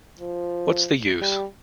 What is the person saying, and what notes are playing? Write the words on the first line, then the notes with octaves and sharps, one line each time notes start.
What's the Use?
F3
G3